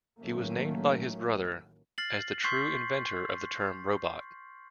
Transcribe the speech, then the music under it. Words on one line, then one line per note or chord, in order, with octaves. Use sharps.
He was named by his brother as the true inventor of the term "robot".
A1 D#3 F#3 A3 A#3 C#4
F6 A6 C7 F#7
C6 C#6 G6 B6 C7